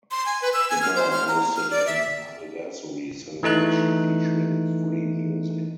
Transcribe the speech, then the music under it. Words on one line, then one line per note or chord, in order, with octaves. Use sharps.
The bar hosted an anniversary celebration featuring free music.
C6
G#5
B4
E6
G#5
F6
C5
F6
A#5
F6
D5
E5
E3 A3 D#4 F#6